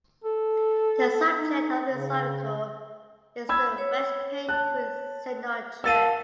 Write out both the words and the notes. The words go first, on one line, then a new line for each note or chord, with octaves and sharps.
The subject of this article is the West Paint Creek Synod Church.
A4
D#4
C#3
B5 E6 G#6
C#5
A5 F#6
A#4 F5 A5 E6 A6 D#7